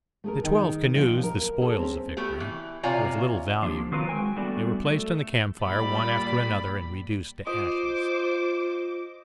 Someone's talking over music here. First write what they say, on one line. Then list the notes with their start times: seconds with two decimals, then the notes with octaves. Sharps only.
The twelve canoes, the spoils of victory, were of little value; they were placed on the camp fire one after another, and reduced to ashes.
0.24 A3 G#4 A#4
0.44 D#3 D#4
0.95 A#2 F3
1.23 A#4
1.61 G#4 A4
1.78 C4 C#4
2.17 A3 B3 G4
2.40 E3
2.83 C3 F4 C#5 D5 G#5 A#5
3.62 F3 A#3 C4 D4 G4
3.92 D#3 F#3 C4 F4 A#4 B4
4.09 G#3 C4 F#4 G5 G#5
4.36 G3 A3 B3 D4 F#4 D5
4.85 A3
5.63 A#2 G3 D5 B5
7.47 F4 C5 D#5 D6